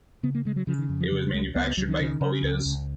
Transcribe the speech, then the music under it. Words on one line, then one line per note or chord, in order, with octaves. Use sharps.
It was manufactured by Qualitas.
C#3 B3
A#3
C#3 G#3
F#3
C#3 F3
D#3
F2
F3
C#3 F#3
C#2 G#3
C#2 B3
B3
C#2 F#3
D#3
C#3
C#3
C#2
C#2